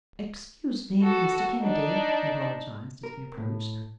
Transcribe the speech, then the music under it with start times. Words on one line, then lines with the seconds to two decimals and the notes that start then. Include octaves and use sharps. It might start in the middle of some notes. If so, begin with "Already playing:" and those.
"Excuse me, Mr. Kennedy," he apologized, as we approached.
1.02 F#4 A4
1.62 D4 D#4
3.03 A#4
3.37 A2